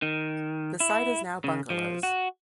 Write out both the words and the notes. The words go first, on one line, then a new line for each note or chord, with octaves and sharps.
The site is now bungalows.
D#3
E4
C#3
F3
F#4